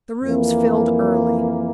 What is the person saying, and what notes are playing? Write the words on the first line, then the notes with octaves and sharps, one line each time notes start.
The rooms filled early.
F2 E3 A#3